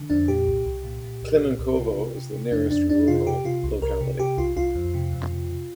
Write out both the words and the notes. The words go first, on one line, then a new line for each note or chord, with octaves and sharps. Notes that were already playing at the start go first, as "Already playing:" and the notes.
Klimenkovo is the nearest rural locality.
Already playing: D3
F2 D4
A#2 G4
C2
C2
A#2
A#2
C2
A#2
C2
C3 F4
C3
C3
C3
F2 D4
F2 D4
F2 D4
C3 F4
C3 G4
C3 F4
C2
C2 A#4
C3
C3 G4
C2 F4
C2 F4
F2
C3
F2
C3
C3